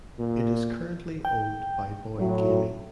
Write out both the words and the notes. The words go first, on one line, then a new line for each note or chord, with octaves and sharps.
It is currently owned by Boyd Gaming.
A#2
G5
A2 F#3